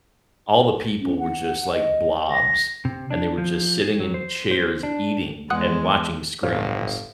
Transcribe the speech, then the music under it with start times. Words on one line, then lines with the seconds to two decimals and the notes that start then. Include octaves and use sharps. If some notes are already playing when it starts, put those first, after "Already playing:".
all the people were just, like, blobs, and they were just sitting in chairs, eating and watching screens,
1.01 C#4
1.19 F#5
1.72 D#5
2.31 A#6
2.85 C3
3.11 D4
3.38 F3
3.81 G#4
4.00 F#3
4.14 C5
4.51 C5
4.83 D4
5.50 E2 G#3 F#5 D#6 F#6
6.43 G1 A2 C5 F5